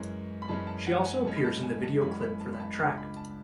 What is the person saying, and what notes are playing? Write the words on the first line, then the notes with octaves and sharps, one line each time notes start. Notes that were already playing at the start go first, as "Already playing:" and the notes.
She also appears in the video clip for that track.
Already playing: F#2 E3 G#3 C#4
B5
F#2 E3 G#3 C#4 A5
A5
F#5
G#5
F#2 E3 G#3 C#4 A5
B5
A5
G#5
A5
F#2 E3 G#3 C#4 B5
B5
A5
B5
A5
C#2 C#3 G#3 D4 A5
B5
A5